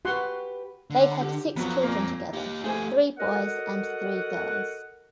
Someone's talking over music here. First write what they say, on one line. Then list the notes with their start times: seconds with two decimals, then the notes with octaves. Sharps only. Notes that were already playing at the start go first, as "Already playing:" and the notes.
They had six children together, three boys and three girls.
0.05 F#4 G4 B4 F#5 C6
0.90 D3
1.21 G4
1.56 F2 F#3 B3 C4
1.83 A#2 A#3
2.33 D#4 G4
2.64 A3 G4 G#4 C5 G#5
3.18 F#4 A4 A#4 D#5 F#5